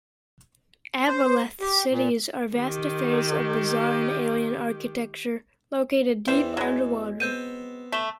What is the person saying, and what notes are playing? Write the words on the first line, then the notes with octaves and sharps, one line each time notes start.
Aboleth cities are vast affairs of bizarre and alien architecture, located deep underwater.
C5
G4
A#2
D#3 G4
E2 E3 B4 C5 G5
F#3 G#3
B3 C4 G6 D#7
A3 B6 E7 G7